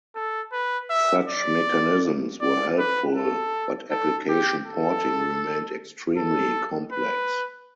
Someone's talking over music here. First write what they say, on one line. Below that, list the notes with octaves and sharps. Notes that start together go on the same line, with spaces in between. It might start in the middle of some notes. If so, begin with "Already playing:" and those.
Such mechanisms were helpful, but application porting remained extremely complex.
A4
B4
E5
D5
D5
B4
A4
A4
G4
A4
A4
B4